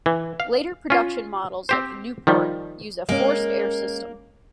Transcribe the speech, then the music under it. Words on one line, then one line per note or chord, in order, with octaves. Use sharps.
Later production models of the Newport use a forced-air system.
E3
F5
C#4 F4
C4 G4 C5
D#3 F3 G3
G#3 A#3 C#4